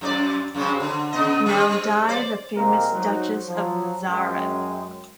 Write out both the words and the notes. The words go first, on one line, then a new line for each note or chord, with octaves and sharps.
Now died the famous Duchess of Mazarin.
F#2 D#4 D5
F#2 C#3 C4
D3
C#3 B3 D#5
G3 C4
C5 D5
C2 G#3 A#3 C4 A#4
F#3 D#4 F#4 C5
F3 F#3
F#2 G#3 G5